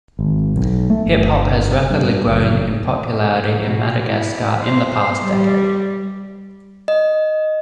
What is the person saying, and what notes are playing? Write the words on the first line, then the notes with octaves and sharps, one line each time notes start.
Hip hop has rapidly grown in popularity in Madagascar in the past decade.
G#1
B1
A3
G1
G2
F#1
B2
E4
C5
G3
D#5